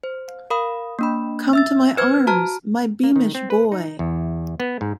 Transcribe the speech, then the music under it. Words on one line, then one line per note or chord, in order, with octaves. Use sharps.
Come to my arms, my beamish boy!
C5
A#4 F5 B5 D#6
A#3 D4 B5
E5 E6 A6
B4 C5 F6 G#6
F#4 A5 A#5 F6
A#3
D#3
C4
B4
D#4
E2
B3
G#2